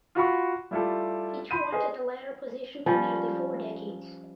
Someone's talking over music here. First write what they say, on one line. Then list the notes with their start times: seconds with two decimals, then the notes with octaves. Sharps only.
He taught at the latter position for nearly four decades.
0.15 F4 F#4 B5 C#6
0.71 G3 A3 E4 F4 G4 A4
1.51 B5 C6 G6 D#7
1.72 G#4 B4 C5 D#5
2.86 F3 G3 C#4